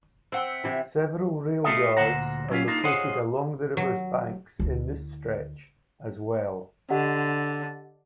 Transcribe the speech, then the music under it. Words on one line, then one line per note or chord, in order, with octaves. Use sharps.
Several rail yards are located along the river's banks in this stretch, as well.
C4 E5 F#5 G5
C3 E3
A3 F4 A4 D#5 E5
D2 A#2 C5 F#5 A#5
F#3 C#4 F4 G4
A#3 D4 D#4 F4
F4 G#4 C5 C#5 D#5 F#5
F#3
D2 E4
D3 G4 D#5 F#5